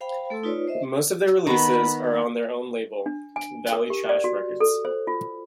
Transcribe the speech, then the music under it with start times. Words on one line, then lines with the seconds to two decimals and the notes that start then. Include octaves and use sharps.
Most of their releases are on their own label, Valley Trash Records.
0.01 C5 F5 G5 B5
0.30 A3 A4 C6 E6
0.43 D#4 F4 B4 C#5 D5
0.68 C5 D#5 E5
1.47 D#3 B3 B5
3.06 D4
3.36 G#5
3.73 A#4
3.90 G4
4.09 D5
4.24 F#4
4.60 A4
4.85 C5
5.07 F4